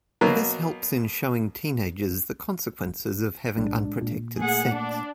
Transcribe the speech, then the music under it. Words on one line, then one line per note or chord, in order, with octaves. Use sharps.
This helps in showing teenagers the consequences of having unprotected sex.
B2 F#3 A#3 B3
B1 A2 G#3 D4
A#2
A3 A#3 G#4 F#5
D4